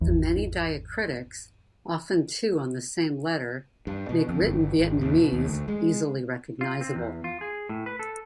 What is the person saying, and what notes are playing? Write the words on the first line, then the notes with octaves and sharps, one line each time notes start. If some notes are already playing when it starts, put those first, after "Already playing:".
The many diacritics, often two on the same letter, make written Vietnamese easily recognizable.
G#1 E2
G2
B2
F2
G1
G#1
D#2
B2
D#2
D2
G#3
F4
C4
E2
F4
G#4
A2
B4
A4